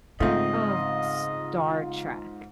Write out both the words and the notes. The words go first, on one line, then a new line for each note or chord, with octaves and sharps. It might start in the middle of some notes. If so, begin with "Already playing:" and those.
of Star Trek,
G#2 C#3 A3 C4 F4 D#5